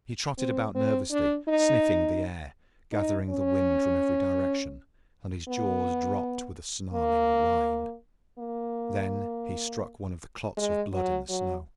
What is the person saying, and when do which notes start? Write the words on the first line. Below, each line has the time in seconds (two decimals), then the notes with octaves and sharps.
He trotted about nervously, sniffing the air, gathering the wind from every direction, and his jaws dropped with a snarling whine. Then he struck one of the clots of blood in the snow.
0.38 C4
0.75 C4
1.11 D4
1.48 D#4
2.93 D#4
3.29 C#4
5.48 B3
6.94 A#3
8.38 A#3
10.57 G#3
10.93 F#3
11.29 F#3